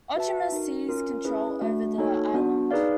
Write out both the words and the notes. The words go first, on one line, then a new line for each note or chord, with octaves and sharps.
Ochimus seized control over the island.
F#4 B4 E5 A5
D#4 F#4 A#4
C#4 F4 A#4
C#4 E4 G#4 B4
A3 D4 F#4
A#3 D#4 F#4 A4 C#5
B3 D4 F#4
D#4 G#4 B4 D5 F5